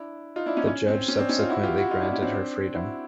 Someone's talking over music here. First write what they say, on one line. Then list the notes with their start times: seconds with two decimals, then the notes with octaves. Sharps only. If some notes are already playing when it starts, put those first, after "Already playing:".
The judge subsequently granted her freedom.
Already playing: D4 E4
0.36 D#4 F4
0.46 D4 E4
0.57 C#4 D#4
0.67 C#4
0.88 C4
1.08 C#4
1.18 C4 D4
1.29 C#4 D#4
1.39 D#4 F4
1.49 E4 F#4
1.63 F4 G4
1.77 E4 F#4
1.91 D#4 F4
2.02 D4 E4
2.12 C#4
2.22 C4 D4
2.74 E4 F#4